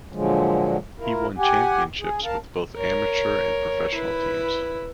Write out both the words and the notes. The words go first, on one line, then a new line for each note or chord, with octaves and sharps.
He won championships with both amateur and professional teams.
A#2 D3 F3 F#3 G#3
E4 F4 A#4
G4 F#5 G#5
G#4
D#2 A#4 F5 A5
A#4 C#5
E4 B4